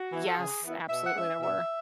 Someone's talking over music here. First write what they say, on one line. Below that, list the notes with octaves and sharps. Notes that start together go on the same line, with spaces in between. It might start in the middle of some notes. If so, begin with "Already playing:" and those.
Yes, absolutely there were,
Already playing: F#4
E3 B3 E4
A4
C#3 G#4
E3 B3 E4
B2 E5
F#5
G#3 C#4 E5
B2 E5